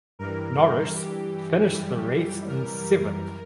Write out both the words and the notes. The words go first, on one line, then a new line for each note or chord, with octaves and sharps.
Norris finished the race in seventh.
G2 E3 G3 A#4
G4
F#2 E3 G3
A#4